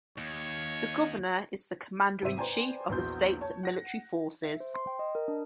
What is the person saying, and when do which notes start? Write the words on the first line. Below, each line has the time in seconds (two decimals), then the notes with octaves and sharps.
The governor is the commander-in-chief of the state's military forces.
0.18 D#2 C#5
2.22 G#1 C3 C5 E5 D#7
2.37 B4 C5 D5 G5 G#5 A#5
2.89 A#1 E2 B3 F#4 C6 G6
3.41 C#5 A5
3.63 F#5 A#6
4.43 E5
4.60 C5
4.75 C6
4.87 G5
4.99 D#5
5.15 A#4
5.28 D4